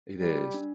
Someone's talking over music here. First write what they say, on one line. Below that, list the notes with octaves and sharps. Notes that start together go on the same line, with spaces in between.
It is.
G3
D4